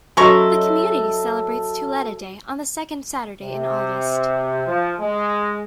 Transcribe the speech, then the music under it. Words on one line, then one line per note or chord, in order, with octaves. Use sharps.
The community celebrates Tuleta Day on the second Saturday in August.
F#3 C#4 E4 A4 D#5 A#5 C6 C#6
C3
F3
G#3